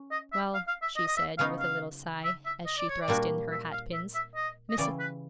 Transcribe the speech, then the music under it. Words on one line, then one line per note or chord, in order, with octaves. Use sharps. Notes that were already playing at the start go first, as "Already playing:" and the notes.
'Well,' she said, with a little sigh, as she thrust in her hat-pins, 'Mrs.
Already playing: C#4
D#5
E5
F5
F5
E5
D#5
D#5
E5
C#3 F#3 B3 D#4 F5
F5
E5
E5
D#5
D5
C#5
D5
A#2 G3 A#3 D4 F#4
E5
F5
E5
E5
D#5
D#5
C#3 E3 G3 D5
B4